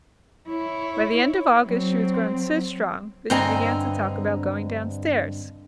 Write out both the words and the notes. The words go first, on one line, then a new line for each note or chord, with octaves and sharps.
By the end of August she was grown so strong, that she began to talk about going down stairs.
E4 C#5
F#3 C4
G2 D3 C4 D#5 G#5 A#5